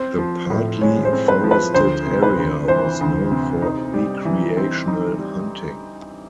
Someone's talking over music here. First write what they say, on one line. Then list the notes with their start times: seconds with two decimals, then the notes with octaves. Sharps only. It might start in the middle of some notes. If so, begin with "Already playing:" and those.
The partly-forested area was known for recreational hunting.
Already playing: C4 C5
0.18 F3
0.50 A2
0.81 G#3 C#5
1.05 C5
1.13 C4
1.28 B4
1.44 F3
1.51 B4
1.74 D2 C5
2.06 C3
2.23 B4
2.38 D2
2.68 E3 C5
3.01 D2
3.32 C3
3.62 D#4
3.94 G3
4.25 E3
4.57 C4
4.88 D#4
5.19 G3